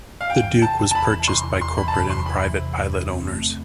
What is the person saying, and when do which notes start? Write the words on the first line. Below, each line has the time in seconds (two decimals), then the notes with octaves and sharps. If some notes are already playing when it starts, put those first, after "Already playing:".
The Duke was purchased by corporate and private pilot owners.
0.21 F5
0.29 E2 G5
0.46 E3
0.62 C3 A5
0.78 E2
0.91 A5
0.95 E2 B5
1.12 E3
1.28 C3 C6
1.44 E2
1.61 E2 C6
1.77 E3 B5
1.88 A5
1.94 C3 B5
2.10 E2 C6
2.26 E2 B5
2.43 E3
2.60 C3
2.76 E2
2.93 E3
3.09 C4
3.25 A3
3.42 E3